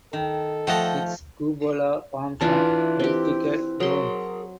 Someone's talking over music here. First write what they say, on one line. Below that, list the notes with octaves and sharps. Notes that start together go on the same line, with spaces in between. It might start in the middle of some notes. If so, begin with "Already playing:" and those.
Its cupola forms an elliptical dome.
D#3 A4
F3 A3 D#5 F#5 G5
E3 D4 E4 F4 B4 A5
C4 G4
F#3 G#4 A#4 C6